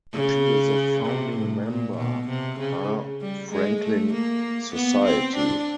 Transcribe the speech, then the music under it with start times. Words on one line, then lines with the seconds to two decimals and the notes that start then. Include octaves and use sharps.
She is a founding member R. Franklin Society.
0.13 C#3
1.06 C3
1.37 A2
1.67 A#2
1.98 B2
2.29 C3
2.60 C#3
3.21 G3
3.52 G#3
3.83 A3
4.13 A#3
4.75 B3
5.06 C4
5.37 D4